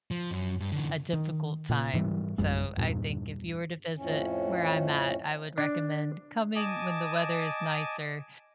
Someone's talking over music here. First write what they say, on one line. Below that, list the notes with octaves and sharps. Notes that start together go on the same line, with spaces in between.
a difficult time," so I think if you were to visit where I'm at I would recommend coming when the weather is nicer
F3
F#2
G2
D3 E3
D#3
A#2
G#2 E3 F3 G3
A#1 F#2 G3 G#3
E2 G2 A#2
F2 A2 C#4
D4
D#5 G#5 A5 D6 D#6